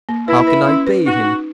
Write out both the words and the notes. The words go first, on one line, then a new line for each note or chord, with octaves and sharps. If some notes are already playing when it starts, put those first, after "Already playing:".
How can I pay him?
A#3
E4 B4
B4
C#4
B4
D#4 F#4
D#4